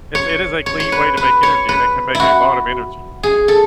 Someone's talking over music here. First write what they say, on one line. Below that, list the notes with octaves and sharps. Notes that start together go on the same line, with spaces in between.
It's it is a clean way to make energy, and it can make a lot of energy.
C#5
C#5
C#5
B4
B4
C#5
B4
E4
F#4
G#4
A4